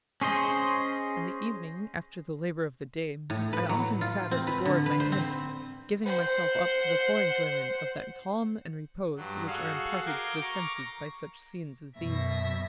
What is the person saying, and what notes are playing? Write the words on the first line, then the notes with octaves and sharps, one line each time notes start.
In the evening, after the labour of the day, I often sat at the door of my tent, giving myself up to the full enjoyment of that calm and repose which are imparted to the senses by such scenes as these....
C#4 G#4 C5 D#5
A2
B4
F#3
F4
C4
B4
D3
B4
C5
C4
C5 F#5
G2 F#3
F#4 G#4 A4 F5
A#4 F5 D6 G6 G#6
A#5 C#6 D6
F#2 B2 E5 A#6